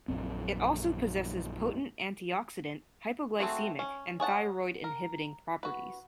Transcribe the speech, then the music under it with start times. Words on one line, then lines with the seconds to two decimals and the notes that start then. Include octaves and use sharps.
It also possesses potent antioxidant, hypoglycemic and thyroid inhibiting properties.
0.08 A#1 F#2 C4
3.39 A3 C4 D#4 F#4 G#4
3.79 C#4
4.20 G#4 C#5 F#5 A5
4.84 A#4
5.63 F#4 B4